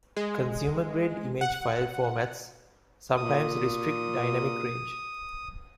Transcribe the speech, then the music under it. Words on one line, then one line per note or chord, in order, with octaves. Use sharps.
Consumer-grade image file formats sometimes restrict dynamic range.
G#3
F#5
A#2 D#6